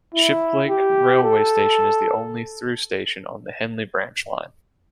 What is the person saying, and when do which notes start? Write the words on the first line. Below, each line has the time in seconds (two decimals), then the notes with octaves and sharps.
Shiplake railway station is the only through station on the Henley Branch Line.
0.14 E4
0.69 G4
1.23 A4